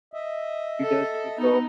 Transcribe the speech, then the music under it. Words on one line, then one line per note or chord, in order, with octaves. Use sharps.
He does switch off.
D#5 E5
A4
B3 D#4